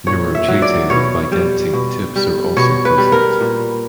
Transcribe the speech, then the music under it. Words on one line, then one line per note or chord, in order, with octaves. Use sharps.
Neurochaetae with bidentate tips are also present.
A#2 C#5
E5
F#3
D5
B2 C#5
G3
B2
G3
B2 C#5
B4
G3
A#4
A#2